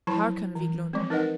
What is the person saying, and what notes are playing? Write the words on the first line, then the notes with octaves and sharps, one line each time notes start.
Hearken, Viglund!
F3 F#3 E4 A5 B5
E3
F3 G#3 C4
D#4 A#4 B4 D#5 F#5